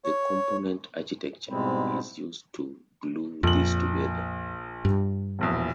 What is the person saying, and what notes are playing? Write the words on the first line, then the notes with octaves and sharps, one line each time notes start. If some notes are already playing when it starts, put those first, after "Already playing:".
The component architecture is used to glue these together.
C#5
G#2 B2 G3 G#3 C4 E4
A#1 F2 F#7
G2
E1 A#1 E2